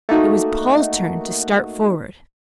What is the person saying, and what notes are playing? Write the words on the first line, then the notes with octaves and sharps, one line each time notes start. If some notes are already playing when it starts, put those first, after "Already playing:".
It was Paul's turn to start forward.
A3 A#3 D#4 F#4